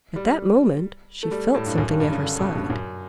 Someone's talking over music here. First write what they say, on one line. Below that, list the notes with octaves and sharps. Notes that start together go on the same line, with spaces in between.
At that moment she felt something at her side.
G3
A3
G3
A2
G2
F#2
G2
G2
C#3
D3
B2
G2
F#2